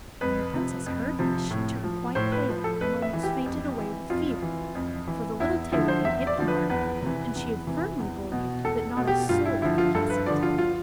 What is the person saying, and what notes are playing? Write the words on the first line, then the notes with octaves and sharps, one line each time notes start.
When the Princess heard this she turned quite pale, and almost fainted away with fear, for the little tailor had hit the mark, and she had firmly believed that not a soul could guess it.
F2 B4
C3 F3
F2
C3 F3
A2
F3
A2 C5
B4
F3
A4
F2 B4
E5
E3
G4
F2
E3
F2 F4
E3
F2
E3
E2 E4
D3 F3 E4
C5
E2 E5
D5
D3 F3
B4
E2 B4
C3 E3
E2
C3 E3
E2
B2
E2 A4
B2
G4
G2 F4
E4
D3 F3 E4
F4
G2 A4
B4
D3 F3 D5
F4
F4